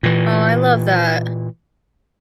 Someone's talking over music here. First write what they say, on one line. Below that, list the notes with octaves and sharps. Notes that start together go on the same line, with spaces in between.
Oh, I love that.
A#2 E3